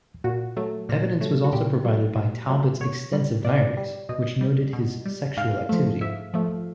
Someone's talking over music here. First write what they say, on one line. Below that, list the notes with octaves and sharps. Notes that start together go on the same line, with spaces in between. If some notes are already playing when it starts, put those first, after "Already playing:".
Evidence was also provided by Talbot's extensive diaries, which noted his sexual activity.
A#2 F#4
F#3 A3
A#2
F#3 A3
F#4
A#2 G4
F#3 A3
A#2
F#3 A3
B2 C#5
G3
B2 D5
G3
B2 D#5
G3
B2
G3
G#2 F5
F3 A3
G#2 E5
F3 A3